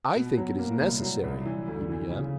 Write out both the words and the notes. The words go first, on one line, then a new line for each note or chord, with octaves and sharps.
"I think it is necessary," he began.
B2
F#3
A#3
C2
F#3
C2
E3
D2
E3
C#3